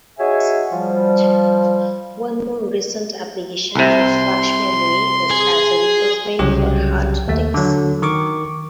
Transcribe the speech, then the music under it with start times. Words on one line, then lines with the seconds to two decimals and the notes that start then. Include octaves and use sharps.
One more recent application for flash memory is as a replacement for hard disks.
0.19 D#4 F#4 G#4 C#5 E5 G#5
0.72 F3 G3
3.76 C2 C3 C6
5.31 G#4
6.39 C2 C#3 F#3 G4
7.28 D#2 A3
7.54 D3 F#3
8.02 D#3 C#6 D6